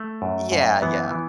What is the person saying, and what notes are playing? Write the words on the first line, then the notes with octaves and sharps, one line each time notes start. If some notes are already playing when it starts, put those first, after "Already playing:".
Yeah, yeah.
Already playing: A3
F#2
F#2
E3 B3
E3